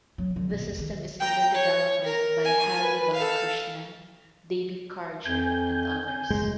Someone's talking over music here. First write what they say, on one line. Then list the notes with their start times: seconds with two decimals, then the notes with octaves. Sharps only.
The system is under development by Hari Balakrishnan, David Karger and others.
0.18 F#3
0.36 D3
0.50 D#1
0.66 F2
0.79 D#3
1.20 G5 A#5
1.55 C#5
2.04 A#4
2.45 G#5
2.81 B4
3.13 A4 F5
5.25 F2 G#5 G6
6.30 F#1 A2 G#3